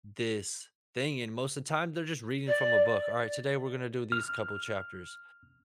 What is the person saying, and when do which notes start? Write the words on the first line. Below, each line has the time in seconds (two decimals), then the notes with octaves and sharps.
this thing, and most of the time, they're just reading from a book. "Alright, today, we're gonna do these couple chapters,
2.48 D5
4.12 F6